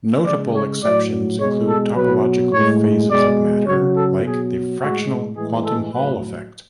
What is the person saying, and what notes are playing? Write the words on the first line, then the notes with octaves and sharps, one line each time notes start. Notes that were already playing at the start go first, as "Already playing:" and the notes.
Notable exceptions include topological phases of matter like the fractional quantum Hall effect.
C#3 G#3 D5
C#5
A2 F#3 D5
B2 G#3 C#5
A4
B2 F#3 B4
A2 C#5
G#3
B2 G#3 D5
C#3 F#3 C#5
A4
B2 F#3 G#4
A2 G#3 F#4
A2 E3 G#3 G#4
A4
A2 F#3 B4